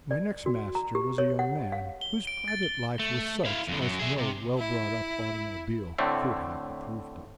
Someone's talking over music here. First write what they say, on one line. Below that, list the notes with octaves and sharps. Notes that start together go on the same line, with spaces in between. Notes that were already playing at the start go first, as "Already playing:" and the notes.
My next master was a young man whose private life was such as no well-brought-up automobile could have approved of.
D5
F#4
A#5
G4
C#5
F#5
F5
G7
D7
A6
G7
A3
E4 F5
F2 D3
F#2 F#3
G#4 E5
C3
E4
A2 D3 A3 C4